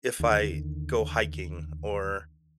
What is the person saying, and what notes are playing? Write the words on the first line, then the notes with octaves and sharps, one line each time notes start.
if I go hiking or,
D#2 D3